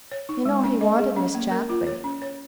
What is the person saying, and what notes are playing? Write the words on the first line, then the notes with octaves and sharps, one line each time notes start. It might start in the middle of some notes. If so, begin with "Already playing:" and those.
You know he wanted Miss Chapley.
C#5
D#4
G#3
C#4
D#5
G#4
C#4
A#3
A#4
F4
C#5
C#4
C#5